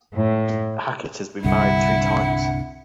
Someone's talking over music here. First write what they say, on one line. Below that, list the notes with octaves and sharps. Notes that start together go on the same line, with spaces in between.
Hackett has been married three times.
A2
C2 G2 D3 E4 F#5